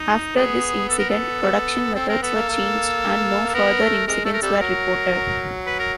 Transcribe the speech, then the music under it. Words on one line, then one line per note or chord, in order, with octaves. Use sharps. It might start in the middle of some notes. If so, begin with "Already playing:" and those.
After this incident, production methods were changed and no further incidents were reported.
Already playing: D#4
F#3 G#3 B3 G#4
A4
A#4
A4
F#3 G#3 B3
C4 A4
C4 A#4
B3 A4
A#3
A#3
A#3 A4
B3 A#4
A3
C3 G#3 A#4
A3 A4
A#4
C3 G3 A4
F#3 A#4
F#3
B4
A#4